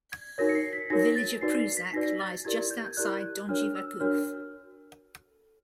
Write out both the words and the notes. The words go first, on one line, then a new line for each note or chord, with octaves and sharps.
The village of Prusac lies just outside Donji Vakuf.
G#6
D#4 F#4 A#4 C#5 A#6
C#7
C7
B6
D#4 F#4 A#4 C#5 A#6
A6
D#4 F#4 B4 D5 C7
C7
B6
D#4 F#4 B4 D5 A#6
A6
E4 G4 A#4 D5 G#6
G6
G#6
G6
E4 G4 A#4 D5 F#6
F#6
D4 F#4 A#4 C#5 F6
E6
D4 F#4 A#4 C#5 F6